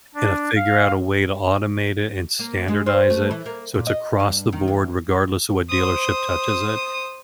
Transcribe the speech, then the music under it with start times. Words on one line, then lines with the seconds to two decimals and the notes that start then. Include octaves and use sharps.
and, uh, figure out a way to automate it and standardize it so it's across the board regardless of what dealership touches it,
0.14 D4
0.56 F5
2.39 A#3
2.68 G#3
2.86 C5
3.10 A3
3.31 E3
3.46 A#3
3.74 A#2
3.87 D#5
4.20 G2
4.53 D#3
4.68 E2
5.70 C5 D#6